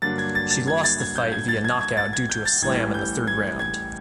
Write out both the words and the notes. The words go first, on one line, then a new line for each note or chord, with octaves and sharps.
She lost the fight via knockout due to a slam in the third round.
G2 D3 F#3 A#3 D4 A6
G#6
A6
A6
G#6
A6
G#6
G6
G#6
A6
G#6
G#6
A6
G#6
G6
A6
A1 A2 E3 G3 G#6
G6
G#6
G#6